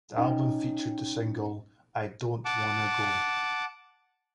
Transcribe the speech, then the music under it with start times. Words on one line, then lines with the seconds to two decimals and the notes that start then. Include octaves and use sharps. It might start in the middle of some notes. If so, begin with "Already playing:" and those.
The album featured the single "I Don't Wanna Go".
0.17 C#4 D#4 D#5 G5
2.45 F#5 A5 D6